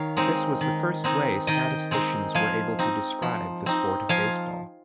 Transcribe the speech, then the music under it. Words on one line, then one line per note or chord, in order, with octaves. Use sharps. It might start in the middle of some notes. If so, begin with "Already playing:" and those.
This was the first way statisticians were able to describe the sport of baseball.
Already playing: D#3 C#5 F5
G#3 C4 D#4
D#3
G#3 C4 D#4
D#3 D#5 G5
G#3 C4 D#4
F3 F5 G#5
C4 D#4
F3
C4 D#4
F3 F5 G#5